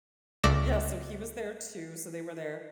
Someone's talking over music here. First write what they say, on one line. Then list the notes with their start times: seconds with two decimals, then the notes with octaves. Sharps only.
Yes, so he was there too, so they were there.
0.43 C#2 A3 D5 D6 A#6 E7